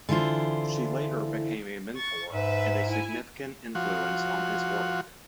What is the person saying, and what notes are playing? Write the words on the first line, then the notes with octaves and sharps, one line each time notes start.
She later became a mentor and a significant influence on his work.
D3 E3 E4 F4 C5
C#6 A6
G#2 B4 E5
E4 G#5
F3 F#4